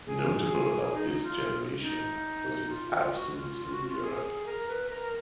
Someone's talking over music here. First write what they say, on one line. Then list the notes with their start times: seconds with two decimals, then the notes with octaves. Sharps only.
Notable about this generation was its absence in Europe.
0.07 G#4
0.94 D#4
1.23 F4
1.82 D#4
2.69 F4
2.91 F4
3.14 F#4
3.36 F4
3.57 F4
3.72 F#4
3.85 F4
4.02 G#4
4.45 A#4
4.68 B4
4.89 A#4